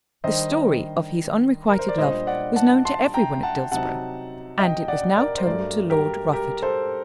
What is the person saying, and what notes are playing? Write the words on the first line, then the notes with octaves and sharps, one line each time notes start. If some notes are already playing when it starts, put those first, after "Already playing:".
The story of his unrequited love was known to every one at Dillsborough and it was now told to Lord Rufford.
D#3 G3 D4 C5 D#5
A#4
C5
D5
A#2 G3 D4 C5 D#5
D5 F#5
F#5 A5
A5 C6
G5 A#5
F#5 A5
C3 F#3 C4 D#4 F#5 A5
D#5 G5
D5 F#5
A#4 D5
C5
G2 F#3 A3 A#4 D5
G4 A#4
G4 A#4
A4 C5